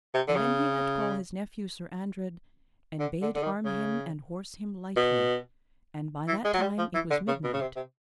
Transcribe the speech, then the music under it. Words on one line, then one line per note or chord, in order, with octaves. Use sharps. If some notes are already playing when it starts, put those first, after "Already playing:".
And then he let call his nephew Sir Andred, and bade arm him and horse him lightly; and by that time it was midnight.
C3
D3
C#3
D3
D3
D3
D#3
C#3
B2
E3
G#3
F#3
G3
F3
E3
D3
C#3
B2
C#3
C3
C3